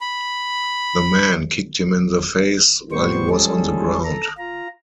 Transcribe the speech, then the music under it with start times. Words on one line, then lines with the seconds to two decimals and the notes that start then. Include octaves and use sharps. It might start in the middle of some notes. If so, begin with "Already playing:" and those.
The man kicked him in the face while he was on the ground.
0.01 B5
2.92 A2 G3 B3 C5 C#6
3.30 F3 G3 G#3 C#4 G#4 A4
4.04 A4 A#5
4.38 F4 A#5